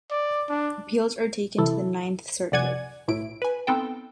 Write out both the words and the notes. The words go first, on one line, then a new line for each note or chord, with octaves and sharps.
Appeals are taken to the Ninth Circuit.
D5
D4
C3 E3 E4 A4
C2 F2 D5 F#5 G#5 G#6
B1 A2 E4 D7
B4 G#5
B3 C4 D#4 A4 G5